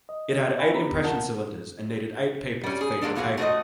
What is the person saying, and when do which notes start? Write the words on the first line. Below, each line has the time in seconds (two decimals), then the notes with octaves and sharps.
It had eight impression cylinders and needed eight people to feed the paper.
0.09 D#5
0.58 C#5 E5 F5 G5 G#5 B5
0.74 B3 D4 G4 A#5 B5
1.03 F4 A4 A#4 F#5 A5
2.64 G3 C#4
2.81 G#4
3.01 F#3 G#3 A#3 D4 A4
3.15 B2 E3 F4 F#4 G#4
3.37 A3 D4 F#4 G#4 C5 D#5